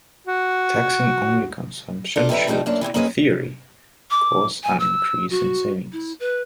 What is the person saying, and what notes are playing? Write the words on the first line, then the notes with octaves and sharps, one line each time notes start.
Taxing only consumption should, in theory, cause an increase in savings.
F#4
D4 F4 A4 A#4
F2 C3 E4 B4 E5 A#5
G2 A3 C4 D4 D#4
F#2 A#3 D4
E2 G#2 C3 E3
A#3 C4 C#4 G#4 B4 D#5
D6
G#5
E6
F#4
E4
B4